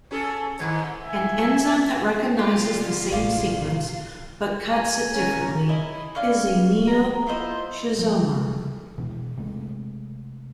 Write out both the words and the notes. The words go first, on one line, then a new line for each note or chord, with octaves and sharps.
An enzyme that recognizes the same sequence but cuts it differently is a neoschizomer.
C#4 G#4 A4
G#2 D#3
E5 G#5
F4 G4 C6
C2
A1 F5 D6
G#5
C#4 A#5
E4 D#5 G#5
C#4 D5 F5 G#5
D#5 A#5
E4 F4 C5 D#5
F3 G3 G#3
B2 E3
C3 G#3 A3